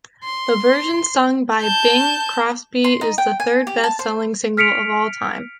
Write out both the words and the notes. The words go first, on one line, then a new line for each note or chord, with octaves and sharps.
The version sung by Bing Crosby is the third best-selling single of all-time.
C6
A5 G6
C6
D#4
G5
G#5
G4
A5
C5
F6 B6 C#7 D7 F7